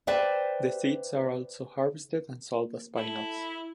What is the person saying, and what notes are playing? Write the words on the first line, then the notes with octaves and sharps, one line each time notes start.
The seeds are also harvested and sold as pine nuts.
B4 C5 D5 E5 G5 A5
E4 A4